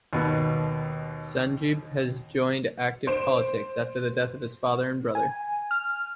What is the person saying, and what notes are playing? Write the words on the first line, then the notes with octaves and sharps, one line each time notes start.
Sanjib has joined active politics after the death of his father and brother.
D#2 B2
C5 D7 E7
G#5
F6